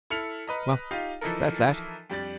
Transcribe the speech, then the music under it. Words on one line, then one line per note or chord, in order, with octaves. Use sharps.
Well, that's that.
E4 A4 F6 C#7 F7
B4 D#5 A#5
D#4 F4 G4 F5
E3 F3 D#4 E4 A4 A#4
F2 G3 D4 A6